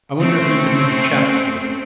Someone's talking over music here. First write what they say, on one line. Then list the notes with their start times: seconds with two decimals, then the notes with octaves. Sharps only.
"I wonder if you could make a chap good?"
0.19 A3 C4 C#4